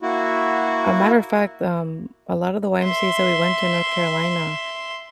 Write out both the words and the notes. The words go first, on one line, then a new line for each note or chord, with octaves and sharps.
A matter of fact, um, a lot of the YMCAs that we went to in North Carolina,
A#3 E4 F#4
E5 C6